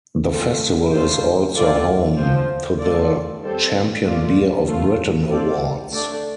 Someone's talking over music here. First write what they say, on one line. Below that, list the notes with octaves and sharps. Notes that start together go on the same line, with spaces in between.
The festival is also home to the Champion Beer of Britain awards.
A3 C4 F4 A4
D3 A3 F4 C5
D3 A3 F4 A4 D5
F3 C4 F4 C5
A3 F4 A4 D5
G3 C4 A4 C5
A3 F4 D5
A3 F4 A4
C4 F4 A4 D5
A3 D4 A4 D5